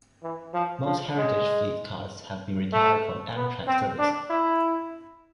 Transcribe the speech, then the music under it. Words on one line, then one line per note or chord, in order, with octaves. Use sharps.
Most Heritage Fleet cars have been retired from Amtrak service.
E3
F3
F3
G#3
A3
B3
C4
D4
E4